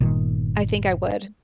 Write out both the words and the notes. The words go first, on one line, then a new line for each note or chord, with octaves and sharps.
I think I would.
G1 A#2 D#3